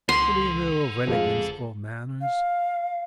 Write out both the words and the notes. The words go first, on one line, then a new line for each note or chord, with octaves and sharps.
What do you know of elegance or manners!
C#2 A4 F#5 C6
F#1 F2 G#3 F5
F5